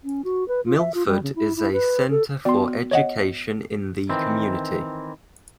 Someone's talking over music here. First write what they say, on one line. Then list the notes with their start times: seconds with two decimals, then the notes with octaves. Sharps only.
Milford is a centre for education in the community.
0.04 C#4
0.24 F#4
0.48 B4
0.65 F4
0.78 E5
0.94 F4
1.07 G3
1.23 C#3
1.36 E4
1.56 E4
1.73 B4
2.10 A4
2.45 B3 F#4 D5 C6
2.91 C#5 D#5 F#5
4.09 D#3 E3 C4